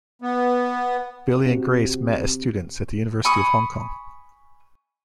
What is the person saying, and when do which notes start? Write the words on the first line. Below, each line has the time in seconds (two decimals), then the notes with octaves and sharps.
Billy and Grace met as students at the University of Hong Kong.
0.22 B3
1.46 C3 F#4
3.24 G#5 B5 C#6 D#6